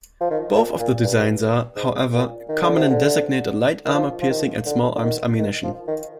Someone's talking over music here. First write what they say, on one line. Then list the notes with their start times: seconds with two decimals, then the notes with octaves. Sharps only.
Both of the designs are, however, common in designated light armor-piercing small arms ammunition.
0.21 F3
0.31 D#3
0.55 A#2
0.79 A#2
1.04 G2
1.76 G#2
2.13 A#2
2.49 D#3
2.62 D3
2.77 C3
2.90 D3
3.85 D#3
3.94 F3
4.21 F3
4.30 D#3
4.66 D3
4.96 D3
5.03 D#3
5.39 D#3
5.63 F3
5.87 D#3